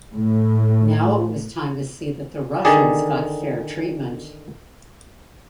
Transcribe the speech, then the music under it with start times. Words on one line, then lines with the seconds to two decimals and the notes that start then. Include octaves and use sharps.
Now it was time to see that the Russians got fair treatment.
0.13 A2
2.65 D3 D#3 G#4 D5